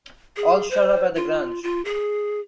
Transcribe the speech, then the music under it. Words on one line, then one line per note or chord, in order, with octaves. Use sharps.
All’s shut up at the Grange.
G#4
C5
F4
F4
G#4